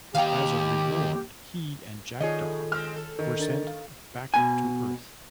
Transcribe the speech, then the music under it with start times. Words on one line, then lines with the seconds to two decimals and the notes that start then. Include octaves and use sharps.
As a reward, he and Jackdaw were sent back to Earth.
0.15 D#2 G4 F5 G5 A#5
2.20 A2 D#3 F4 G#4 C#5 D#5
2.72 G#3 C4 F6
2.96 A4
3.19 D#3
3.40 D4 A#4 A6
3.67 D#3 F5
4.34 B2 G#5